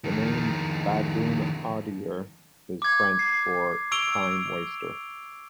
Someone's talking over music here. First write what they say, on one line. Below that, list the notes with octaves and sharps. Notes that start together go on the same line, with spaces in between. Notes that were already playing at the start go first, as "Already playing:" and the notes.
The name "Baguenaudier" is French for "time-waster".
F2 D#3
D6 G#6
C7
C#6 E6 D7 F7 G7